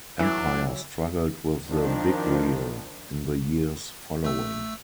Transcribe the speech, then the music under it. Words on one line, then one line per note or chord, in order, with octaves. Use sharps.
Empire struggled with the "Big Reel" in the years following.
E3 F#3 D4
D#3 F3 D4
A3 E6